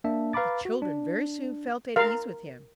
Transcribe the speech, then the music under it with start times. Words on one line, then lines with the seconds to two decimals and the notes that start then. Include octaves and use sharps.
The children very soon felt at ease with him.
0.04 A#3 D4 E5 A5
0.33 B4 F5 A#5 B5 D6 A6
0.65 F#4
0.82 D4
1.96 A#4 F5